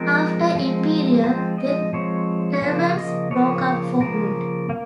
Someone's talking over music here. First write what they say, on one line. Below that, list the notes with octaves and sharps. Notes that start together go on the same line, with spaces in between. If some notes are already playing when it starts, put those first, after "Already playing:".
After Imperial, the Turbans broke up for good.
Already playing: F3 G#3 C4 A#4
F3 G#3 C4
F3 G#3 C4 C5
D#5
F3 G#3 C4 C#5
C#5
C#3 F3 A#3 C5
D#5
C#3 F3 A#3 C#5
C#3 F3 A#3 A#4
A#3